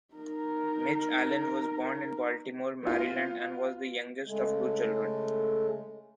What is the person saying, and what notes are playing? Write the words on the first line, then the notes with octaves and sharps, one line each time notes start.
Mitch Allan was born in Baltimore, Maryland, and was the youngest of two children.
D#4 A#4
B3 F4
C#3 G#3 A3